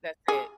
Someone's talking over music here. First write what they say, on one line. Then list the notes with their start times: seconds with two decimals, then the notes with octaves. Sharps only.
that's it."
0.28 G#4